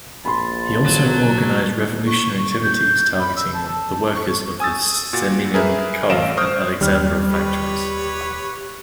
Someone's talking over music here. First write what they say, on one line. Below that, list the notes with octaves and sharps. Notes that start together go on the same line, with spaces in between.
He also organized revolutionary activities targeting the workers of the Semiannikov and Aleksandrov factories.
A#1 A5 B5 C6
F#3
C#6
G6
B5
E6
A5
C#6
G#5 D#6 E6 A6
A#2 F#4 A6
G#4 A#4 B4 E5
A1 A3 D#5 F5 D7 E7
C5 C#6 D#6 F6
D#2 G3 F6
G4 B4 C#5